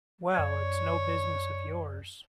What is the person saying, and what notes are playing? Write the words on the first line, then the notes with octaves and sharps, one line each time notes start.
Well, it's no business of yours.
F#2 C#5 D5 G#6